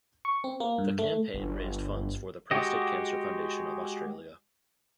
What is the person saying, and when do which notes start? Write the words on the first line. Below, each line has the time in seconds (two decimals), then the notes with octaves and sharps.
The campaign raised funds for the Prostate Cancer Foundation of Australia.
0.25 C#6
0.44 C4
0.60 A#3
0.78 G2
0.99 A3
1.34 G1
2.51 G#3 F#4 G4 D#5